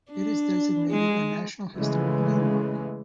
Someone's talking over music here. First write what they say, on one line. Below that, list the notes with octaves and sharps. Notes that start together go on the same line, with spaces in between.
It is designated a National Historic Landmark.
D4
G#3
C#3 E3 G#3 A3